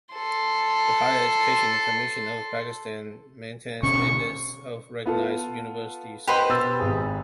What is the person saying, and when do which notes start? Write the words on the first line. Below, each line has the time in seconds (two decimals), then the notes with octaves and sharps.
The Higher Education Commission of Pakistan maintains a list of recognized universities.
0.15 A4 C6
3.83 B2 D3 C#4 C#6
5.06 B3 F4 A4
6.28 G4 B4 C5 D#5 F#5
6.49 B2 E6 A6
6.80 G#1 G#4